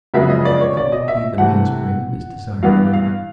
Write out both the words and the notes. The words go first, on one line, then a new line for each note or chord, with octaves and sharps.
And that will be the mainspring of his desire for her.
F#2 C#3 F3 G#3 B3 E5
D#5
D5
C#5
D5
D#5
E5
C3 E3 A3 F#5
G2 E3 G3 B3 F5
F5